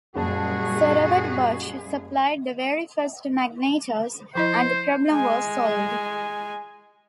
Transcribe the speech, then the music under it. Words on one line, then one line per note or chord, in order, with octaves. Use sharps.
Sir Robert Bosch supplied the very first magnetos and the problem was solved.
F#1 A#2 G3 F#4 G#4 A5
F3 E4 C5 D#5
G#3 G#5